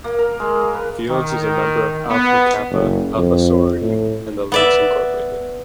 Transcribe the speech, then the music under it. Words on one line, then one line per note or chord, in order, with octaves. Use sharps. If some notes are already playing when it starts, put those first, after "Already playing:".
Fields is a member of Alpha Kappa Alpha sorority, and the Links Incorporated.
A#3
A#4
G#3
A#4
B4
D#3
B3
F#1
F2
A2
B3 D5 E5